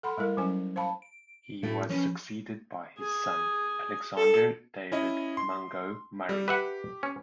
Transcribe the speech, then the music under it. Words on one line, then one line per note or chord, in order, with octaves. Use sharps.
He was succeeded by his son Alexander David Mungo Murray.
A4 F#5 B5 C6
G3 A3 E4 A#4
F#3 C#4 C5 G#5
C5 F5 A5 B5
D7
A2 A3 E4 F#4 G4
F3 C#4 B4 C#5
G#4
A4
C#4 E4 D#5
C6
G3
G4 B4 E5 F#5
C#4